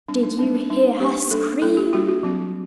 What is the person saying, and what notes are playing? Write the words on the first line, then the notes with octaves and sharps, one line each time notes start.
Did you hear her scream?
G3 C4 D4
D#4
G3 C4 D4
D4
G3 C4 D#4
G3 A#3 D4 G4
G3 A#3 D4 A4
G3 A#3 D4 A4
G4
G3 A#3 D4 F#4
F#4
F#3 C4